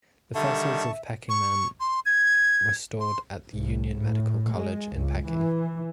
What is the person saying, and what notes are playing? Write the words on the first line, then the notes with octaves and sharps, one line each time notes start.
The fossils of Peking Man were stored at the Union Medical College in Peking.
D3 D#3 G3 E5 A5 C#6
C#6
C6
G#6
C6
C2
A2
G#3
C#2
E3